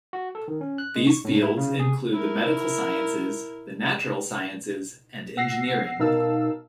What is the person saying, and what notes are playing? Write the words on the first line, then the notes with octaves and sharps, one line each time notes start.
These fields include the medical sciences, the natural sciences, and engineering.
F#4
A4
D#3
C#4
F#6
G#3
C#6
A2
E4
C#3
G#4
E4 A#4
F#5 E6 A#6 C7
B2 D#4 A#4 F5 A5 E6